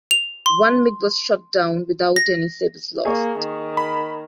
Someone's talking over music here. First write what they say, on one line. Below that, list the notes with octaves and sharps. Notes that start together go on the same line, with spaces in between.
One MiG was shot down, without any Sabres lost.
F7
C6
A#6
A#3 G#4 C#6
D#3
B5